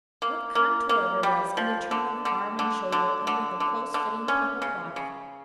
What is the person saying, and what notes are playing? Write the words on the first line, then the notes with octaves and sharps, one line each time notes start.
What contour there was in the turn of arm and shoulder under the close-fitting purple cloth!
A#3
A#3
A#3
G3
F3
D3
D3
D3
D3
D3
D3
D3
C#4
C#3
C#3